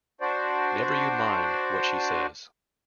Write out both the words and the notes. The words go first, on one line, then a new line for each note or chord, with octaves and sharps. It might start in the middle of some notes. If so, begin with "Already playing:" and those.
Never you mind what she says.
D4 F#4 C5 D5